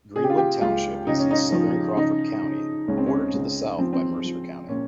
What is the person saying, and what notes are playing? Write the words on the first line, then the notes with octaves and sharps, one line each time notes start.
Greenwood Township is in southern Crawford County, bordered to the south by Mercer County.
C#3 G#4
G4
F4
G4
C#2 F4
C#3 D#4
C#4
D#4
F3
C#3 D#4
C#3
C#2 C#4
C4
C#4
C#2
F3 C4
C4
F3
A#2 C#4